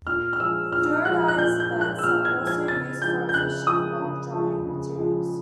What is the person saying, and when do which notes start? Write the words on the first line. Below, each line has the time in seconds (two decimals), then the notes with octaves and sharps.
Fluidised beds are also used for efficient bulk drying of materials.
0.07 A#2 F6
0.33 F6
0.40 F3 G#3 E6
0.72 A#2 F6
1.05 F3 G#3 F#6
1.28 F#6
1.38 A#2 G6
1.60 G6
1.71 F3 G#3
1.81 F#6
1.99 E6
2.03 A#2 F6
2.25 G#6
2.36 F3
2.41 G#3
2.47 G#6
2.68 C#3 A6
3.02 F3 G#3 G6
3.29 G6
3.34 C#3 F#6
3.67 F3 G#3 D#6
4.00 C#3
4.33 F3 G#3
4.65 C#3
4.98 F3 G#3